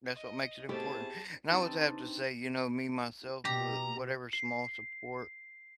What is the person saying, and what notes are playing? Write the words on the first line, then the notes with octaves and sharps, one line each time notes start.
That's what makes it important. And I always have to say, you know, me, myself, wha whatever small support
D#5
B2 A3 C4 E4 G4 G#4 A5
C4 D4 D#4 G4 A4 B4
B2 G4 A#5
C7